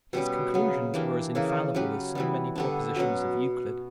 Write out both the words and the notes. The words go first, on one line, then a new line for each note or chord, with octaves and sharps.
His conclusions were as infallible as so many propositions of Euclid.
B2 G3 C#4 G4
C#3 F#3 B3
E3 A#3 D4 G4
C#3 E3 A#3
F#3 C#4 G4 B4
E3 G3 B3
D3 G3 B3 D4
B2 F#3 C#4 F#4